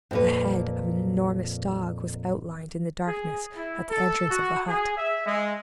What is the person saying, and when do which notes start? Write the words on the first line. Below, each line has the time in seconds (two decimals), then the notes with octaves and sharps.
The head of an enormous dog was outlined in the darkness at the entrance of the hut.
0.11 F2 A#2 B4
3.07 G#4
3.56 E4
3.91 A4
4.30 F#4
4.68 G#4
4.97 E5
5.27 G#3